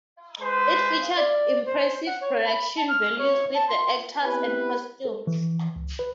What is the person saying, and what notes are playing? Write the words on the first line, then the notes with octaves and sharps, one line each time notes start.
It featured impressive production values with the actors and costumes.
G#3 B4 C5
D5
C5
F#5
C#5
B5
A5
F6
C#5
A5
C6
B3 C4 E4 G4 B4
A4
E3
C#2
B4